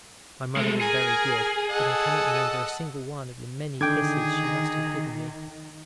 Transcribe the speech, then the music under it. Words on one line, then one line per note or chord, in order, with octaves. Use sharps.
My mother was very good, but I cannot remember a single one of the many kisses she must have given me.
G#3 A3
G#4 A#4 G#5
A4 D#5 F#5
D3 D#3 G#4 G5 D6 G#6